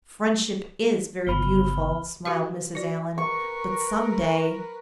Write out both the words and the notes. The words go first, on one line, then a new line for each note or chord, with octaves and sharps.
"Friendship IS very beautiful," smiled Mrs. Allan, "but some day . . ."
G1 C#2 B5 F6 G7
F#4 G4 B4 F5
F#4 D5
A#4 B4 C#6